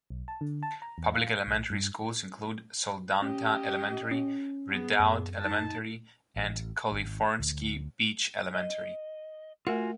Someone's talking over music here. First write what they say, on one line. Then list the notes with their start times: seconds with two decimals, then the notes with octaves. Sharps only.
Public elementary schools include Soldotna Elementary, Redoubt Elementary, and Kalifornsky Beach Elementary.
0.10 B1
0.28 A5
0.41 D3
0.63 A5
0.82 A#5
0.98 E2
1.14 F5
1.47 B1
1.70 G2
3.22 C#4 G4 D#5
4.11 C#4
4.70 B3 G#4
5.00 F#2
5.40 D#4 A5
6.36 A1
6.92 G#1
7.39 D2
8.55 D#5
9.67 A3 F4 F#4 A#4 F#5 G#5